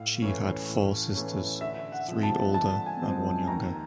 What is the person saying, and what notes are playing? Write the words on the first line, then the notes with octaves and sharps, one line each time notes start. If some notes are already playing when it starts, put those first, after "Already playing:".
She had four sisters; three older and one younger.
Already playing: A2 F5
E3 A3 C#4
A2
E3 A3 C#4
D3 E5
F#5
F3 G#3 C4
A5
D3 A5
G#5
F3 G#3 C4
D#2 A#5